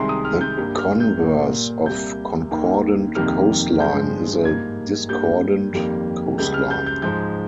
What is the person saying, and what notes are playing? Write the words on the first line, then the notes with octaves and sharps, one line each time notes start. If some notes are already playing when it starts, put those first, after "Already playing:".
The converse of concordant coastline is a discordant coastline.
Already playing: C2 C3 D#3 G#3 C6
D#6
F6
G6
G2 G3 A#3
F6
G6
A#2 G3 A#3
C2 C3 G3 A#3 G6
D#2 D#3 A#3
F2 C3 D#3 G3 A#3 F6
G2 F3 G#3 G6
G#2 G3 A#3 G#6
G2 G3 A#3 G6
F2 D#3 G3 A#3
C#2 C#3 G3 G6
F6
G6
G6
G#2 F3 G#3 G6